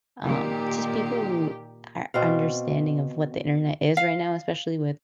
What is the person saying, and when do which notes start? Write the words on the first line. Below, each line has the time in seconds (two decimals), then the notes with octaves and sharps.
um, just people who are understanding of what the internet is right now, especially with
0.23 A#2 D#3 G4
2.14 B2 C4 F5
3.97 F5